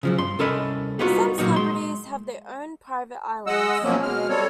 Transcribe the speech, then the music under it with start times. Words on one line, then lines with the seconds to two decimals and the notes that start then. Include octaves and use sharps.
Some celebrities have their own private islands.
0.03 C#3 F3 F#3
0.18 G2 C6
0.39 C2 C#4 A4 A#4 D#5 B5
0.99 G3 A#3 B3 D#4 F4 F#4
1.38 A#2 F#3 A#3 D#4 F#4
1.55 G#3 C6
3.47 G#3 D#5 F#5 E6
3.84 B2 F3 F#3 A#3 C4 C#4
4.03 B2 G#3 F6
4.29 G3 C4 A4 C#5